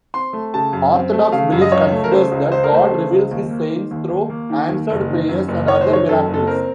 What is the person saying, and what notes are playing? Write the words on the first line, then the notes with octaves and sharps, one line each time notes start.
Orthodox belief considers that God reveals his saints through answered prayers and other miracles.
C4 C6
A3
C#3 A5
F#2
C4
A3
C#3 F5
F#2
D#5
C#2 C#5
A3
A#4
C#3 C5
C#2
C#2 C5
A#4
A3 C5
C#3
C#2
D#2
A#3
D#3
D#2
D#2
A#3
D#3
D#2
F#1
D#3
F#2
F#1
F#1 C#5
C5
D#3 C#5
F#2 A4
F#1
A4
C4 A#4